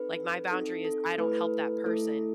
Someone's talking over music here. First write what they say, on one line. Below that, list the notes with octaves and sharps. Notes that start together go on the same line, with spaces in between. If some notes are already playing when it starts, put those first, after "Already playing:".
Like, my boundary is I don't help that person,
Already playing: C4 D#4 A4 B4
C4 D#4 A4
A4
A4
A3 E4 A4 B4
A3 E4 A4